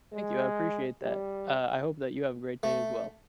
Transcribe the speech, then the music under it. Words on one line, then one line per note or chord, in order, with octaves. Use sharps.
Thank you, I appreciate that. Uh, I hope that you have a great day as well.
G#3
G3
A3